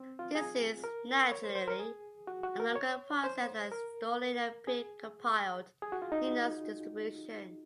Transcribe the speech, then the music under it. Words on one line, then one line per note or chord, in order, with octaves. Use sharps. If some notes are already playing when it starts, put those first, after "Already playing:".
This is, naturally, a longer process than installing a pre-compiled Linux distribution.
Already playing: C4
F4
G#4
A#4
C#5
C5
C5
A#4
G#4
F#4
F#4
A#4
C#5
C5
A#4
G#4
G#4
F#4
F4
D#4